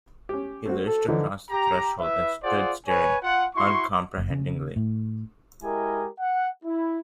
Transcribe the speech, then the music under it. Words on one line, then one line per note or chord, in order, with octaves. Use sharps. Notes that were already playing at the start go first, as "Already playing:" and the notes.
He lurched across the threshold and stood staring uncomprehendingly.
C#4 G4
A3 C4 F#4
A4
D3 E3 F3 D#4
G4 A#5
E4 B4 E5
F4 G#4 C5 D5 F#5
B4 C#5 G#5
F4 F#5
E4 F#4 C6 C#6
F#1
C#3
A2
G#3 E4 G4 A#4 D#5 G#5
F#5
E4